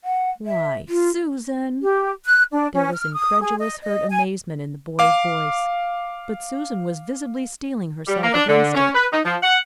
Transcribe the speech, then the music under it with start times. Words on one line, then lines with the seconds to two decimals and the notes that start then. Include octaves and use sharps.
"Why, SUSAN!" There was incredulous, hurt amazement in the boy's voice; but Susan was visibly steeling herself against it.
0.04 F#5
0.46 E5
0.89 F4
1.82 G4
2.25 F#6
2.52 D4
2.73 C#4
2.93 F6
3.14 D#6
3.40 G#4
3.59 D#5
3.83 D#5
4.10 G#5
4.99 F5 D6
8.07 G3
8.22 A#3
8.34 D4
8.48 D3
8.75 C#4
8.95 B4
9.12 D#4
9.25 F3
9.43 F#5